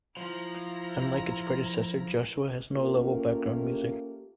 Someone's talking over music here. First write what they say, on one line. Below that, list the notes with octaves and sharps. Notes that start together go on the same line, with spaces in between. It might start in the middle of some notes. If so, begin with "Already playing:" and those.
Unlike its predecessor, "Joshua" has no level background music.
F3 E4 A#5
A3 A#3 C#4 F4 G4 A#4